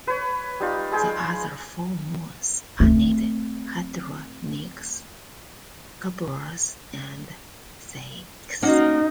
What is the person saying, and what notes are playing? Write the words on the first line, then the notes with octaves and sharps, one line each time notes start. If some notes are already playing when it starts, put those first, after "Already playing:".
The other four moons are named Hydra, Nix, Kerberos, and Styx.
B4 C#5
G3 D#4 F4
G#3 G#4 G5
A3 C4
A#3 C#4 D#4 F#4